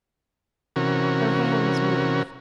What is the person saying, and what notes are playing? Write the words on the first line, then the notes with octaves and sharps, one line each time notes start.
Her hands moved.
C3 E3 C#4 F#4 A#4